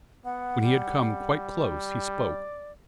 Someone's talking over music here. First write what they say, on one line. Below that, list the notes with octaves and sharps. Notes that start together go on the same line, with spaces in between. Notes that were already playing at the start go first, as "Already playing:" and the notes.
When he had come quite close he spoke.
B3 F#5
G3
D5